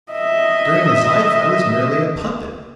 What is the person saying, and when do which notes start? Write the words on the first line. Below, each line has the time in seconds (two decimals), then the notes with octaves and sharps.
During his life I was merely a puppet.
0.12 D#5 E5